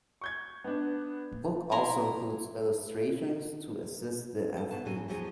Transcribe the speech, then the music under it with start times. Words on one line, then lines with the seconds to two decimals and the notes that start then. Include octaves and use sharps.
Book also includes illustrations to assist the athlete.
0.21 C#6 G6 G#6
0.64 B3 D4
1.72 E4 A#5 C6
4.57 A4
4.71 B2 B3 A5
4.85 A2 E3 F#3 G#5
5.08 E2 A2 F3 F#3 D#4 G#4